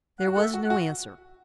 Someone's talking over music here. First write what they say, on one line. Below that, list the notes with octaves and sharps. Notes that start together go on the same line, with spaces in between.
There was no answer.
F#5
F#4
A4 F#5
E5
F#4
F#5
F#4